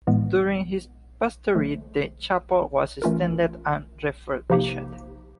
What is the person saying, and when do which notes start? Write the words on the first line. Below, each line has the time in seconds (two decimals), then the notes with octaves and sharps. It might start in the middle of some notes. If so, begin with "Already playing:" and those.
During his pastorate the chapel was extended and refurbished.
0.07 A2 E3 G#3 B3
1.55 D3 F3 A3
3.02 E3 A3 C#4 F4 A#4
4.50 C3 F3 A#3 D#4 G4